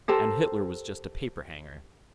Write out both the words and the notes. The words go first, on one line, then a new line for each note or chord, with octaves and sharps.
"And Hitler was just a paper-hanger."
G4 A4 A#4 C5